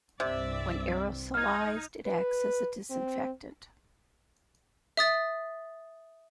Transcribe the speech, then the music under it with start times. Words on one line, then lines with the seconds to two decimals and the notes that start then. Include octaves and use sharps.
When aerosolized it acts as a disinfectant.
0.20 C2 G2 C3 C4 D5 E5
1.34 D#4 F6 G#6
2.06 B4
2.90 C4
4.97 E5 D#6 A6